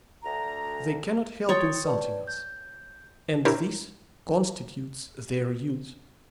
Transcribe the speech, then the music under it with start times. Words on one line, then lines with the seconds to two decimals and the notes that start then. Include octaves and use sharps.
They cannot help insulting us, and this constitutes their use.
0.24 D2 A#5
1.49 C#5 G5 C6 D#6 A6
1.85 B4 D5 A5
2.27 G6
3.45 D4 E4 G4 A#4 C5 C#5